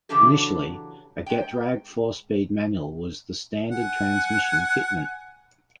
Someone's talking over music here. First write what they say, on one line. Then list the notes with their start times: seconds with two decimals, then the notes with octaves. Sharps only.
Initially, a Getrag four-speed manual was the standard transmission fitment.
0.09 C#3 E3 F#3 D4 G4 A4
1.26 G#3 G5
3.72 F#5 G#5